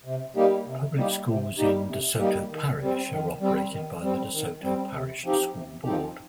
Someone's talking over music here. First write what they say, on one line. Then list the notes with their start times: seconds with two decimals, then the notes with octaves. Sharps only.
Public schools in DeSoto Parish are operated by the DeSoto Parish School Board.
0.05 C3
0.36 G3 A#3 D#4 G4
0.66 C3
0.96 G3 A#3 D#4 G4
1.28 C3
1.58 G3 A#3 D#4 G4
1.88 C3
2.19 G3 A#3 D#4 G4
2.49 D#3
2.80 G3 C4
3.10 D#3
3.40 G3 C4
3.71 D#3
4.01 G3 C4
4.33 D#3
4.62 G3 C4
4.92 C3
5.24 F3 C4 D#4 G4
5.54 C3
5.85 F3 C4 D#4 G4